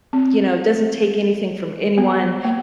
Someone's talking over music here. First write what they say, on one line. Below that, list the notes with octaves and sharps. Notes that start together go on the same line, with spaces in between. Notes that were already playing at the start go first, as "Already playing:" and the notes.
you know, doesn't take anything from anyone,
C4
B3
A#3